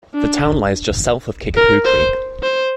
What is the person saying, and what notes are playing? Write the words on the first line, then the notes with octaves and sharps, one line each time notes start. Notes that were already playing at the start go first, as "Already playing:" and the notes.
The town lies just south of Kickapoo Creek.
D4
A#4
C5
C5